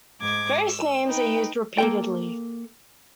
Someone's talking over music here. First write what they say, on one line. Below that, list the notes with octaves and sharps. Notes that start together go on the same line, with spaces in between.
Various names are used repeatedly.
G#2 D6 G#6
E6
D#4 B4 G5
A#3 A4 G5